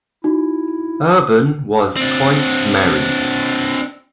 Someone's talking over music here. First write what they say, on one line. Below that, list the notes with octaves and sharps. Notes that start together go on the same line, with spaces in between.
Urban was twice married.
D#4 E4 F#4
C4 D4